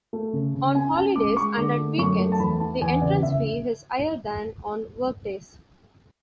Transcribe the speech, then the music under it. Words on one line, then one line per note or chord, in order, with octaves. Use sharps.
On holidays and at weekends the entrance fee is higher than on workdays.
A3
C#3
C#3
C#4 G#5
C#4 A5
G#3 D6
G#3 C#6
D3 D6
A3
F#2 C#6
A3
A5
E2 B5
E3 A5
E2 G#5
C#3 D5
C#3 E5